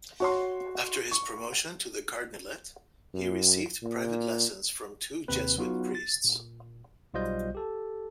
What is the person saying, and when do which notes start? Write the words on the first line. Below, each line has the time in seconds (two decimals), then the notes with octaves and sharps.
After his promotion to the cardinalate, he received private lessons from two Jesuit priests.
0.20 F#4 C#5 C6
1.11 C#6
3.14 F#2
3.83 A#2
5.28 D#2 C3 C4 B4
5.58 F#3 B3 D#4 F4 F#4
5.95 A6
6.24 A#2
7.14 B1 G3 F4 C5 D#5 G6
7.55 G4 A4 A5